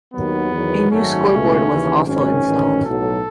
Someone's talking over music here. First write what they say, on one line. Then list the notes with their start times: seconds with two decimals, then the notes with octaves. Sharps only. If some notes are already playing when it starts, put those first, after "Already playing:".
A new scoreboard was also installed.
0.13 D#2 D#3 F#3 B3
0.52 E2 D#3 F#3
0.90 G#1 F#2 D#3 F#3 A3 C#4
1.29 C#2 B2 A3
1.68 D#2 C#3 E3
2.07 G#1 F#2 D#3 C#4
2.45 A1 G#2 D#3
2.84 B1 A2 F#3 A4